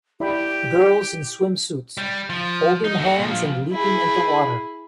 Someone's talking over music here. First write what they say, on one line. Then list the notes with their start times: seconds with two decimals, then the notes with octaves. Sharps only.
Girls in swimsuits, holding hands and leaping into water.
0.20 E4 G4 D5 B5
1.98 G3
2.30 F3
2.84 D#4
2.99 F#4 A4
3.18 A#2 F3
3.72 E4 G#4